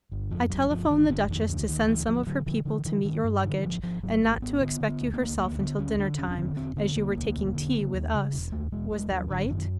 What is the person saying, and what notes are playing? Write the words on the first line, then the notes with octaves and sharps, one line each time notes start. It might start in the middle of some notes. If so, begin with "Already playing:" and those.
I telephoned the duchess to send some of her people to meet your luggage, and not to expect you herself until dinner time, as you were taking tea with us. Was that right?
G1
F2 F3
G1 F#3
G1 F3
G1 D#3
G1 D3
F2 D#3
D2 D3
D2 D#3
D2 E3
D2 F3
D3 F#3
D3 F3
D3 E3
D3 E3
G2 D#3
G2
D3 D#3
G#1 F3
G#1 F3
G#1 F#3
G#1 A3
G#1 B3
D3 B3
D3
B3
D2
A#3
D2
D2 A#3
D3 B3
D2 C#4
D3 D4
E1 C#4
C#4
D3 C4
E1 C4
D3 B3
E1 A#3
D2
E1
D3
C#3
D#2
C#3
E1
D#2 A3
E1 G#3
E1 G#3
D#2 F#3
G#1 D3
F#2 D#3